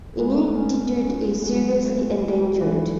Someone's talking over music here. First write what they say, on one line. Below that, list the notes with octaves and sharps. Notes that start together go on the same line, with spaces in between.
Inuttitut is seriously endangered.
G#3
A3
B3
C#4
C#4
G#3
F#3
G#3
A3
G#3
E3
F#3